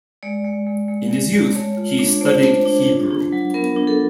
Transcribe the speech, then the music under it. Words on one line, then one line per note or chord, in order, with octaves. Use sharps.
In his youth, he studied Hebrew.
G#3 D5
G#3
G#3
G#3
G#3
G#3
A3 C#5
F4
D4
A3 C5
A3
D4
F4
D4
F#3
B3 A#4
D4
A4